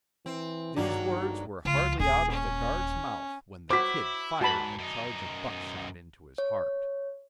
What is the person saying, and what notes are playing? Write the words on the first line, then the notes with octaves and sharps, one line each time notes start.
These words were hardly out of the guard's mouth when the "Kid" fired a charge of buckshot into his heart.
E3 C4
G#1 G2 F#3 A#3 D4 F#4
C#2 F4
D#1 G#4
C#4
E4 F#4 C5 D6 B6
G#2 F#4 A5 B5
F#2 D#4
C#5